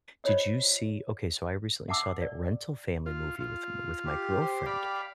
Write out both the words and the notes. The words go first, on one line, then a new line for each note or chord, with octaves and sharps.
Did you see okay, so I recently saw that Rental Family movie with with my girlfriend,
F4 C5 C#5 D#5
E5 F#5 A5 D6 E6
D5
F4
F4
G4
C5
D5 F5 B5